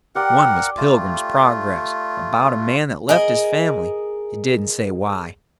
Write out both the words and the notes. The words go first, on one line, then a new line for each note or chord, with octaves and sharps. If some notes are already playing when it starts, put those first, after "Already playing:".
One was Pilgrim's Progress, about a man that left his family, it didn't say why.
G4 A#4 D5 F#5 G5
A3 F4
G#4 A#4 D#5